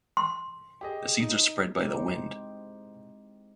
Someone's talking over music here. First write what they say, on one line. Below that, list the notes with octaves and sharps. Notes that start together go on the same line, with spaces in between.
The seeds are spread by the wind.
C6
G4 G#4 D#5
D#4
G#3 C4 D#4 E4 G4